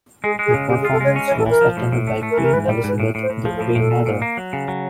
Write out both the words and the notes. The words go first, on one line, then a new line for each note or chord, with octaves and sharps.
The performance was attended by Queen Elizabeth, the Queen Mother.
G#3 G#4
G#3
G#4
C#3
G#3 G4
G#4
F4
A4
G#3 C#5
C#4
C#5
E3
A4
E3 A#4
F3
A2
A2
A3
A3
A#4
E3
A#4
G#2 B4
C5
G3
A#4
G#2 B4
A2
A2
C5
A2
F3 G#4
A4
A2
A#4
A2 A4
A#2
A#2
A#3
F#3
C#3
F#3